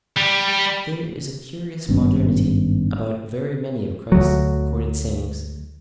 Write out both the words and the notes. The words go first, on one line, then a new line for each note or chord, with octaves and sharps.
There is a curious modernity about very many of Christ's recorded sayings.
G3
G#1 G2 B3 C#4
D2 F#3